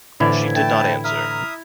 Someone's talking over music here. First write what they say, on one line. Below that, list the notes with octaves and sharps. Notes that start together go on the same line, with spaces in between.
She did not answer.
F2 A2 D3 E3 E4 D5
A3 G5 A5
E5 A#5 D#6 F6